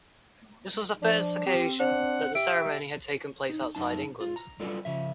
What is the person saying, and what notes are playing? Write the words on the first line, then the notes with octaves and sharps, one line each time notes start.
This was the first occasion that the ceremony had taken place outside England.
F3 D4
C4 G4
D4 C5 F#5
G4 E5 D7
D#4
F#2 D#4 A5
F4
A#5
F#3 G3 F4 A4 B4 D5
C#3 F3 E5